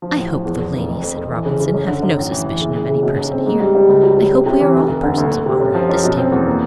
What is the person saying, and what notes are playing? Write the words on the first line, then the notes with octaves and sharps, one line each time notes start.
"I hope the lady," said Robinson, "hath no suspicion of any person here. I hope we are all persons of honour at this table."
F3
A1
F3
E2
E2
F1
F2
F2
F2
E3
C#3
C#3
F#2
D3
F#2
A1
E3
E3
F#1
F#1
C#3
B2
B1
C4
G#2
G3
G3
C#2
F#3
F#3
C3
C3
E3
F1
F1
D3
D2
D2
C3
F#2
F3
F#2
B2
C4
E2
A#3